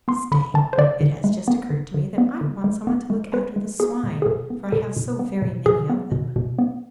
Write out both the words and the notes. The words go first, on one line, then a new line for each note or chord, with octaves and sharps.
Stay, it has just occurred to me that I want someone to look after the swine, for I have so very many of them.'
B3 C6
D3 B5
D3 A5
C5
D3 D5
D3
G#3
B3
D3
D3
B3
D3
G#3
B3
G#3
B3 B4
G#3
B3 G#4
B2
G#4
B2 A4
B3
B2 A4
B2
B3
B2
B2 G#4
B3
B2
B2
B3